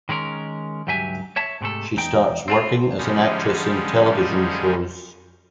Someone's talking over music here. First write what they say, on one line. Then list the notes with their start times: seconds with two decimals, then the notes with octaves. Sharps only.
She starts working as an actress in television shows.
0.09 D#3 G#3 C#4 A#4
0.87 C#2 G2 F#3 G4 E5 G#5
1.36 C#5 E5 A5
1.61 G#2 C3 A3 A4
1.97 E2 D#4 G5
2.48 C4 D4 F4
2.98 D3 F3 G3 G#3 C#4 D#4